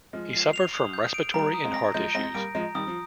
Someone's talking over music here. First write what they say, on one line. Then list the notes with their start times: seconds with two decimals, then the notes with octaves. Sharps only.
He suffered from respiratory and heart issues.
0.13 F3 G#3 F6
0.33 C7
0.53 F7
0.74 D#6
0.93 G6
1.14 D7
1.34 G3 A#3 A#5
1.54 D#6
1.64 G#3 C4
1.74 A#6
1.94 F3 G#3 G6
2.15 G#3 C4 A#6
2.34 G3 A#3 D7
2.55 F3 G#3 A#5
2.75 D#3 G3 D#6
2.87 F3